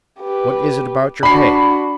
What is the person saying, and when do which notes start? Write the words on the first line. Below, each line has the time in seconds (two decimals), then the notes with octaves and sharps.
"What is it about your pay?"
0.20 G4 B4
1.23 D4 F#4 B5 C7